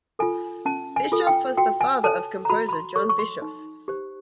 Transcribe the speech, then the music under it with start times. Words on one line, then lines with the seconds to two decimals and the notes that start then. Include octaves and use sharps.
Bischoff was the father of composer John Bischoff.
0.19 F4 A4 G#5
0.65 C#4 A5
0.96 G#5
1.12 F4 A4
1.27 G5
1.57 F#4 G5
1.81 G#5
2.04 A4 C#5 A5
2.45 A#5
2.50 F#4 B5
2.69 B5
2.73 C6
2.96 A4 C#5 C#6
3.09 C#6
3.19 C6
3.42 D#4
3.88 G4 C5